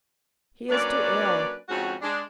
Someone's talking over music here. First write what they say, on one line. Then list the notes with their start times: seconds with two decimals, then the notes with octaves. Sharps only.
"He is too ill."
0.70 F#3 A#3 C#4 D4 B4 D5
1.69 F2 G#2 C#4 F#4
2.02 G#3 D4